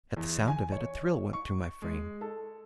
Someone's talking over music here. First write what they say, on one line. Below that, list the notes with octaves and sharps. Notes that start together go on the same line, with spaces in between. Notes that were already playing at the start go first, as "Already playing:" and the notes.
At the sound of it, a thrill went through my frame.
E2
G#5
C#5
C#6
G#3
A4